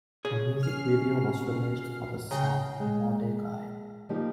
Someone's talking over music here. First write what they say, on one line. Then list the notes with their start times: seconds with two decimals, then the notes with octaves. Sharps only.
A music video was released for the song Mordecai.
0.25 G#4 C#5
0.63 C#4 F6 C7
2.31 C#3 G5 A#5
2.80 G#3
4.09 D#3 F3 G3 A#3 D#4 G4